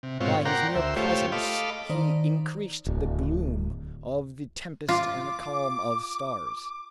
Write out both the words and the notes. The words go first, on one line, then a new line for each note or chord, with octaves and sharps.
By his mere presence he increased the gloom of the tempest and the calm of stars.
C3
G#2 B2 C4 F4 C#5
A#4 D5 F#5 G5 A#5 C6
D2 C5 E5
A3 F4 G4 C5 C#5
A4 D#5 F5 B5 D6
D#3 C5 D5 A#5
D1
F4 D6